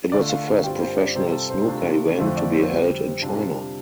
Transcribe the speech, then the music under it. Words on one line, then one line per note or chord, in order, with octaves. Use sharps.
It was the first professional snooker event to be held in China.
D3 A3 F4 D5
F5
F5
G2 G3 C4 F4 G5
C5
D5
C3 G3 F4 C5
A4
C5
C3 A3 D4 F4
F2 D3 A3 C4 F4 C5
D5
C5
D3 G3 C4
C3 G3 D4 F4